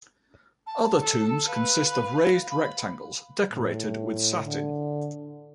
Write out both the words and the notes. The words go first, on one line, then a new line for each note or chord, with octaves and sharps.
Other tombs consist of raised rectangles, decorated with satin.
A5
A4 A5
B4 F5
B5
A2
D3